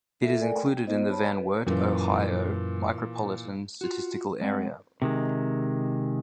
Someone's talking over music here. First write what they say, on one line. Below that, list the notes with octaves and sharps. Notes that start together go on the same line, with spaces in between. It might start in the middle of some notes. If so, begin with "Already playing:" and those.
It is included in the Van Wert, Ohio Micropolitan Statistical Area.
F4 A4 E5
A3 A4 A#4 D5 G#5
G5
B3 D#4 F4 C5 D#5
C#5 A5 B5
B4
F#2 A#2 E3
F4 F#4
G#3 C4 F#5
C3 D#3 G#3